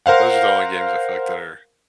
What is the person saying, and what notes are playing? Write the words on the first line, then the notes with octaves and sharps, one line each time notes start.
those are the only games I feel, like, that are
A#4 C5 F5 F#5